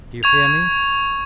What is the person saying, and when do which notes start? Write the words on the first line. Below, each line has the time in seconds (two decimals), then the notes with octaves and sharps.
Do you hear me?
0.23 C#6 G#6 F7